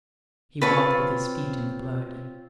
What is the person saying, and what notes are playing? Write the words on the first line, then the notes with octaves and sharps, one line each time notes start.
He walked with his feet in the blood.
C4 F4 B4 C#5 A5 C#6